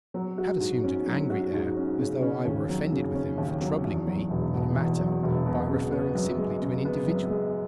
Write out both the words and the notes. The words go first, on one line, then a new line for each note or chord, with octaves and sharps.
I had assumed an angry air, as though I were offended with him, for troubling me on a matter by referring simply to an individual.
F#3
F#4
G#2
C#4
F#3
F#4
G#2
C#4
C#3
C#4
D#2
F#3
C#3
C#4
D#2
F#3
E2
F#3
E1
B2
E2
F#3
E1
B2
C#3
B3
F#2
G#3
C#3
B3
F#2
G#3